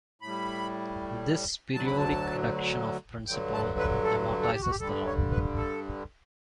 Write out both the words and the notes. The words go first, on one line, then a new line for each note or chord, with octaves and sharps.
This periodic reduction of principal amortizes the loan.
A2 G3 B5
D2 D3 F#3 A5
B5
A5
G2 D3 F#3 G5
A5
B4
A4
A4
G4
F#4
G4
G2 D3 G3 A4
C#5
B4
A4